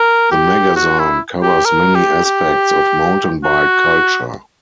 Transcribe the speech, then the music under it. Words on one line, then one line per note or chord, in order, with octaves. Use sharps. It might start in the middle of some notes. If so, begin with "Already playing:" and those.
The magazine covers many aspects of mountain-bike culture.
Already playing: A#4
G4
F#4
E4
G4
A#4
G4
G4
F#4